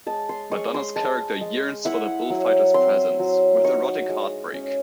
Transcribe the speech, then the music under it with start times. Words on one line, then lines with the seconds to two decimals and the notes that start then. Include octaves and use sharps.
Madonna's character yearns for the bullfighter's presence, with erotic heartbreak.
0.06 G#3 A5
0.29 C6
0.51 G#3 C#6
0.74 C6
0.96 G#3 A5
1.41 G#3
1.85 E4 F#5
2.30 F#3
2.74 C4 C6
3.19 F#3
3.64 D#4 C#6
4.09 G#3
4.53 C#4